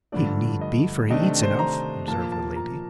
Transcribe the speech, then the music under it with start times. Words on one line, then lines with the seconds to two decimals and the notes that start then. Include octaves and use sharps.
'He need be, for he eats enough,' observed the lady.
0.12 G2 D3 F3 A3 D5
0.61 D#5
1.10 C3 D#3 A3 D4 D#5
1.43 C5
1.59 A#5
2.08 A#2 F3 A#3 A5
2.32 A5
2.56 A#5